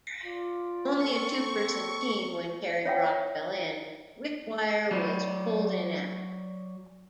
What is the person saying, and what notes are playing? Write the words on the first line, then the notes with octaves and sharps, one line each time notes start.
Only a two-person team, when Kerrebrock fell in, Wickwire was pulled in after.
F4 D5
A#3 C4 A4 C#6
C#5 E5 F#5 G5
F#3 D5